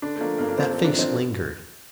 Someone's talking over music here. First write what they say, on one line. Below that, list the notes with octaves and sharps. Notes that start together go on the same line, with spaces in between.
That face lingered.
D3 D4
A3
F3 A#3
G2 A#3
D4
G2 C4
D3 A4
D4
F3
C4